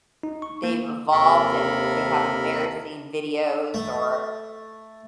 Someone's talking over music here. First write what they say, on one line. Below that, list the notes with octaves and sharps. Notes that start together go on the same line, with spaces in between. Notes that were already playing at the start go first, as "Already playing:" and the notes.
they've evolved and they have embarrassing videos or,
D#4
C#6
A#3
D#2 C3 A4 A#4 B5
A3